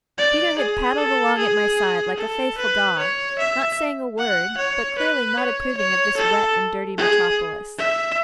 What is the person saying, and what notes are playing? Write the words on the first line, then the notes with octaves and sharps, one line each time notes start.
Peter had paddled along at my side like a faithful dog, not saying a word, but clearly not approving of this wet and dirty metropolis.
D5
G#4
A4
G#4
A4
B4
C#5
E5
F#5
C#5
B4
C#5
C#5
A4
G#4
E5